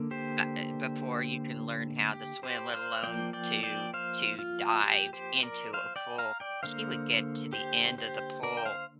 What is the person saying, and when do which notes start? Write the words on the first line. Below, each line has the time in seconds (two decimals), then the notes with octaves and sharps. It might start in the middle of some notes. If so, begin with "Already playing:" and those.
ah, uh, before you can learn how to swim, let alone to to dive into a pool. She would get to the end of the pool,
Already playing: D3 A#3
0.11 G4 C5
2.14 G4
2.43 G4 C5
2.74 C5 F5
3.03 F3 A#3 D5 G5
3.33 D5 G5
3.63 D5 G5
3.94 C5 F5
4.39 F4
4.84 G4
5.13 G4 C5
5.43 A#4 D5
5.73 C5 F5
5.96 D5 G5
6.18 F5 A#5
6.40 D5 G5
6.63 D3 A#3 C5 F5
7.53 G4 C5
7.98 G4 C5
8.43 A#4 D5
8.57 G5
8.65 C5 F5